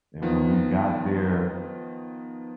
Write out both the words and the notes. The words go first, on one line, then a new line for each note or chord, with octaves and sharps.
And when we got there,
D#3 F3 B3